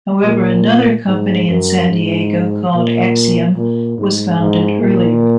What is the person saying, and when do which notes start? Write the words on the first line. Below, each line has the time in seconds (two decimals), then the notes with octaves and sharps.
However another company in San Diego called "Axiom" was founded earlier.
0.23 A#2
1.07 G#2
1.49 F#2
1.90 G#2
2.73 A#2
3.57 A#2
3.98 G#2
4.39 G#2
4.81 A#2